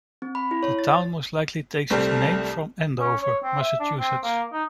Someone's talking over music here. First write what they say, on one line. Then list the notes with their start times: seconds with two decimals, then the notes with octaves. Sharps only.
The town most likely takes its name from Andover, Massachusetts.
0.22 C4
0.35 B5
0.51 E4
0.63 C#5
0.79 A6
0.90 A6
1.90 C2 G3 A3 C4
2.99 C#4
3.22 C#5
3.43 C4
3.61 E5
3.80 D4
3.99 C4
4.23 A#3
4.53 D#4